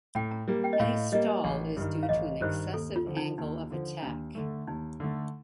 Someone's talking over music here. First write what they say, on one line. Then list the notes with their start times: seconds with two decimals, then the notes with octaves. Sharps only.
Any stall is due to an excessive angle of attack.
0.15 A2 G5
0.31 A#5
0.48 G3 A#3
0.64 G5
0.73 D#5
0.80 A2 F5
1.12 G3 A#3 D#5
1.44 A1
1.77 G2 D#3
2.03 F5
2.09 A1 D#5
2.41 G2 D#3 C5
2.74 D#2 A4
2.96 F4
3.06 D3 F3
3.17 D#4
3.38 D#2 D#4
3.70 D3 F3
4.02 D#2 D4
4.35 D3 A3
4.67 D#2 D#4
5.00 D3 A3